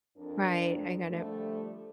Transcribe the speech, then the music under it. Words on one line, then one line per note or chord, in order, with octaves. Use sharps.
Right, I get it.
F2 D4 A#4
D3 F3 G3 A3